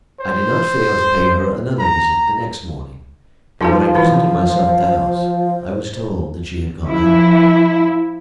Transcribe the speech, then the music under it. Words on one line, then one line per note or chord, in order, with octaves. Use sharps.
I did not fail to pay her another visit the next morning, but when I presented myself at the house I was told that she had gone out.
C5
A#5
F3 D#4 F#4 A4
E3 E4 F#4 C5
F3 E4